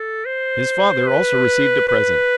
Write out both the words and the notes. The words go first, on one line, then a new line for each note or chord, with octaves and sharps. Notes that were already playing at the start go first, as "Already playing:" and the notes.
His father also received a present.
Already playing: A4
C5
B4
B4